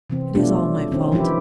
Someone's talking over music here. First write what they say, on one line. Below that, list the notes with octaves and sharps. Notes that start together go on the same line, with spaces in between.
It is all my fault.
C3 E3 C4
B2 F#3 G3 A3 D4 F4
D#3 C4 C#4
E3 F3 D#4 E4 G4